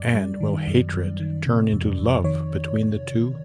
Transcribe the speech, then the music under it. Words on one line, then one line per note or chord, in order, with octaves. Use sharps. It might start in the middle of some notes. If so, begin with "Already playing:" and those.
And will hatred turn into love between the two?
Already playing: F#2 D5
G3
D#3
F#2
F#2
D#3
C3
F2
F2
D#3 C#5